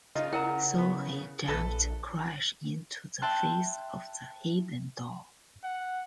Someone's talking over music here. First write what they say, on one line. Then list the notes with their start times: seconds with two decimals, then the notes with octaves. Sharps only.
So he jumped crash into the face of the hidden doll.
0.15 C#3 D#4 F4 D#5
0.33 E4 A#4 F#5 A#5
0.78 B3
1.48 A#1 A4 B4 A5
3.22 E5 G5 A5 C6 F#6
5.64 F#5